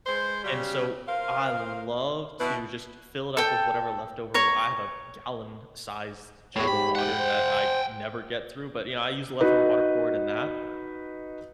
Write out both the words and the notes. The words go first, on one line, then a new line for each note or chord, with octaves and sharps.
and so I love to just fill it up with whatever leftover wa I have a gallon-sized jug of water that I never get through, but, you know, I use the leftover water poured in that,
G#3 B4 C5
C#3 F#3 G3 C#4 G4
F4 A#4 C5 F5
B2 B3 E4 B4
A4 G5
C#5 A#5
E2 A2 F#4 C#5
G#2 G4 B5
F#5 G5
C5
D#4 F#4 B4